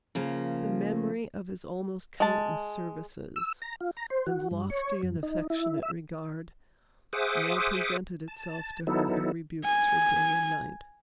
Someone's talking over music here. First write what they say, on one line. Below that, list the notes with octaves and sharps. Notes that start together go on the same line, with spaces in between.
The memory of his almost countless services, and lofty and affectionate regard, now presented itself to her and rebuked her day and night.
C#3 F3 A#3
G#3 A5
E6
A#5
F4
A#5
C5
F#4
G2
C#5
F#2
D#4
E4
E5
G#4 C5 E5 F#5 D6 D#6
A5
F#3 B3 D#4 E4 A4
G#5